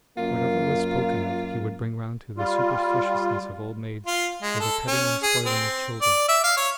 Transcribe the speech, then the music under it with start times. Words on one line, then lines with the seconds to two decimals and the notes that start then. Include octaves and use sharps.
Whatever was spoken of he would bring round to the superstitiousness of old maids, or the petting and spoiling of children.
0.17 F#2 A#3 F4
2.38 G3 F4
4.07 F4
4.42 G#3
4.60 A4
4.88 C#4
5.23 G#4
5.46 C4
6.02 D5
6.29 E5
6.44 F5
6.57 C#5